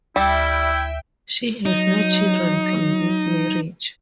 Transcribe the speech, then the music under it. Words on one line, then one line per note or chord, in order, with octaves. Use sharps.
She has no children from this marriage.
D2 G3 E4 E5 G5
F#3 D#4